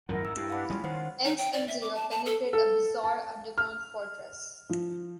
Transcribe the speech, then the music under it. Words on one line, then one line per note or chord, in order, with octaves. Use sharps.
X and Zero penetrate a bizarre underground fortress.
G#1 F#2 F3 E4 A#4 F#5
G#2 E6
G2 E4 G4 B4 F5 G5
D4 B4 F5 F#5 B5
G3 G#3 C#4 F4
D#3 C5 F#5
D#4
G5
D5
E5
D6
A5
A5
A4
A4
A5
F6
F3